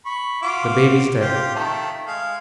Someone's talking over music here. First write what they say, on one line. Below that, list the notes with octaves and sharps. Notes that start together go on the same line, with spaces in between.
The baby's dead.'
B5 C#6
F4 F#4 D6
F4 G4
D#3 A3
G#3 F5